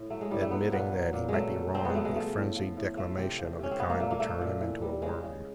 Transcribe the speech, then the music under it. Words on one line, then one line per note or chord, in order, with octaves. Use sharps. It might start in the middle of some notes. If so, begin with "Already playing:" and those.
Admitting that he might be wrong, a frenzied declamation of the kind would turn him into a worm.
Already playing: A2
F#3 A3
G#3
A2 G3
A3
F#3 B3
A#2 B3
F#3
A#2
F#3 G#3 A3
B2
F#3 C4
G#3 B3
B2 A3
G#3
F3 A3
A2
F3
A2
F3 A3
C3 C4
F3
C3 C#4
C4
F3 B3
A#3
A#2 A3
A#3
F3 A3
A#2
E3
G3
C#3 G#3
C#3